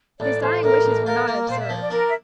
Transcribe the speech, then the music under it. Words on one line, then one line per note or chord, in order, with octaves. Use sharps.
His dying wishes were not observed.
A1 D5
A1 C5
A2 A#4
A1
F4 A#4
A#3
A#2 C5
E5
F3
D5
D4 A#4
E5